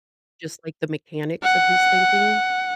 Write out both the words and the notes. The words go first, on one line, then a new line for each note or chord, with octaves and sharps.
just like the mechanics of his thinking
F#5